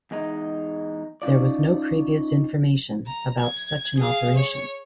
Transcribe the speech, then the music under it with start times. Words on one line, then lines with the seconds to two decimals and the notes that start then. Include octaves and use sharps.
There was no previous information about such an operation.
0.11 E2 G#3 D#4
1.22 C#4 D#4 F4 D5
3.06 A#5
3.40 G#6
3.98 G#4 F5
4.35 C#5